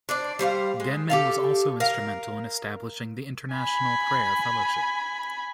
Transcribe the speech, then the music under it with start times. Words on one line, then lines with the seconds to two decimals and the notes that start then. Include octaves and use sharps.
Denman was also instrumental in establishing the International Prayer Fellowship.
0.09 D4 C5 D5
0.39 G3 C5 C#5 F5
0.80 G#3
1.10 G4 A4 F5
1.80 A#4 F5
3.55 G#5 B5